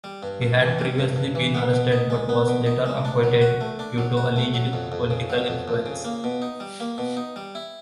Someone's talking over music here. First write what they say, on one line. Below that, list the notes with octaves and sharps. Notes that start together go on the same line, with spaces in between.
He had previously been arrested but was later acquitted due to alleged political influence.
G3
G2
G2
E3
G3
G2
G2
E3
B3
B2
D#4
G#3
B3
B2
D#4
G#3
D4
F#3
F#4
A3
D4
F#3
F#4
A3
F#3
F2
F2
C#3
F#3
F2
F2
C#3
A#3
B2
D#4
G3
A#3
B2
D#4
G3
E4